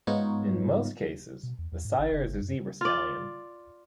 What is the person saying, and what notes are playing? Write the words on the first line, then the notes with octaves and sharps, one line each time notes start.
In most cases, the sire is a zebra stallion.
G#2 B3 D#4 F4 C#5
B2
E2
E2
G#2
G#1
F1
G1
F#2
F4 D5